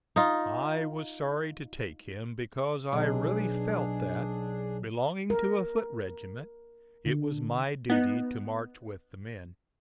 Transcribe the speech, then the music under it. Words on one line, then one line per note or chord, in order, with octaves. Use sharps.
I was sorry to take him, because I really felt that, belonging to a foot regiment, it was my duty to march with the men.
D#4 F4
B1 D4 G#4
A#4
D3
B3 D#4